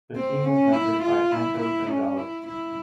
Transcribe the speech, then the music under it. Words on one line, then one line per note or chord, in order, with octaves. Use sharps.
The team was mentored by Anto Gonzales.
C4
C#4
E4
F4
E4
E4
C#4
E4
E4